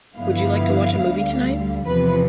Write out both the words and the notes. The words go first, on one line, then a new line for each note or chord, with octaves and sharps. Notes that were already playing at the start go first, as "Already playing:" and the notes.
Would you like to watch a movie tonight?
G2 D3 F3 B3 E4 F5
D2 D3 G3
E2 C3 F3 B4